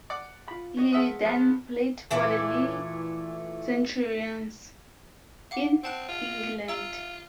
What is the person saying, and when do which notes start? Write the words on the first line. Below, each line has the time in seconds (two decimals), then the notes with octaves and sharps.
He then played for the Leigh Centurions in England.
0.10 D5 F#5 D6
0.48 F4 B5
0.77 C#4 F#4 D#5
0.93 F3 G#4 E5 F#5 D#6
1.25 F3 B3
2.11 A#2 E3 A3
5.51 F5 F#5 D6
5.84 C4 F#5 A5 F#6
6.09 F4
6.68 F4 A#5 E6